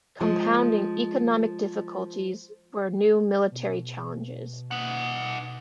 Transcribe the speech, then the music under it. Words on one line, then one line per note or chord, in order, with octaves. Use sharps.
Compounding economic difficulties were new military challenges.
F3 G#3
B2
D#4 F#5